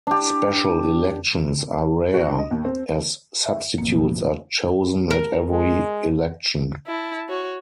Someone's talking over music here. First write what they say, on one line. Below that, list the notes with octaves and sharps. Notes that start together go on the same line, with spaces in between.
Special elections are rare, as substitutes are chosen at every election.
D4 G4
F#4
D4
D#5
D#2
C4
E5
A1 F2 B2 A#3
A#4
G#3
E4 A5
F#4 C#5